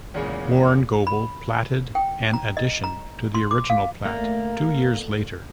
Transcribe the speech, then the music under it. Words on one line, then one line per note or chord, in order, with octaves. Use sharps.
Warren Goble platted an addition to the original plat two years later.
E2 A#2 C#3 G#3
B5
G5
A#5
D#5
A#5
C6
D6
F5
D3 A3 A#3